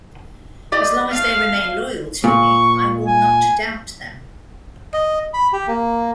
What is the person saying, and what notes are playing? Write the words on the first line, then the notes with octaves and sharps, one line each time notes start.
As long as they remain loyal to me, I will not doubt them.
G4 D5 D#5
A3 F5
A#2 C#6
G#5
D#5
B5
G4
A#3